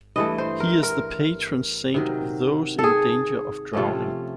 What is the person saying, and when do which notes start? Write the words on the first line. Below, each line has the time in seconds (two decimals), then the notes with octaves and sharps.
He is the patron saint of those in danger of drowning.
0.16 G2 E3 A3 D#5
0.38 C5
0.60 A#4
0.83 A#4
1.94 C3 D#3 F#3
2.79 G#4 A4
3.73 C3 F3 A3 C#4